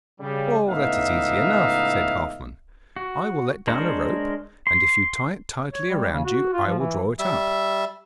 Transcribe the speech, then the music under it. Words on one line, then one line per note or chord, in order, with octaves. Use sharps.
'Oh, that is easy enough,' said Halfman. 'I will let down a rope, and if you tie it tightly round you, I will draw it up.'
C#3 G3
C#2 A2 B3 D#4 E5 F5
F#4
G#3 D4 A#4 C5 C#5
C6
C#5
G3
C#3
F#4
F4
F3
E3
G3 E5